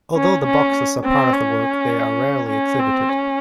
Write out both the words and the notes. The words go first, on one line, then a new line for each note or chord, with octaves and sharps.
Although the boxes are part of the work, they are rarely exhibited.
C#4
C#4
C4
C#4
C#4
C4
C#4